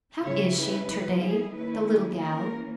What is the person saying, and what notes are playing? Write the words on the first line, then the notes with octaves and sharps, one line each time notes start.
"How is she, ter-day--the little gal?"
C#3 G3 C#4 E4 C#5
B4
G3 B3 E4
G#4
D#3 A#3 C#4 E4 B4
G#4
E3 A#3 C#4 A#4